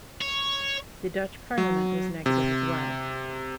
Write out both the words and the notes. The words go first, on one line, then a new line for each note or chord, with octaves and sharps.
The Dutch Parliament was negative as well.
C#5
F#3
C3